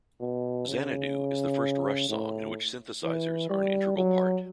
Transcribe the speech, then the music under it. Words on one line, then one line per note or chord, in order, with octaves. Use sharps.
"Xanadu" is the first Rush song in which synthesizers are an integral part.
B2
C#3
A2
E3
G3
F#3